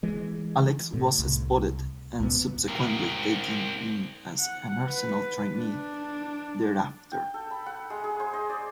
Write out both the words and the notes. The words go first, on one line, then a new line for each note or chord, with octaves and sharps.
Alex was spotted and subsequently taken in as an Arsenal trainee thereafter.
E3 G#3
A2
C2
C#2 A#2 F#3 B3
C4 A#4
F#5
B4
D4
G5
A4
B5
F#5
G#3
G#4
C5
D#5
D5